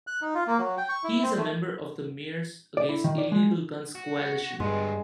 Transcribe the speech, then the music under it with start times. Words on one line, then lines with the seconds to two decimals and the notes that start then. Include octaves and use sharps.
He is a member of the Mayors Against Illegal Guns Coalition.
0.07 F#6
0.22 D#4
0.35 F4
0.47 A#3
0.58 F#3
0.78 G5
0.89 C#6
1.04 E4
1.22 C4
1.38 A3
2.77 D5
2.89 E4
3.04 D#3
3.18 D5
3.32 G#3
3.95 F#4
4.60 G2 D3 G3 G#3 B3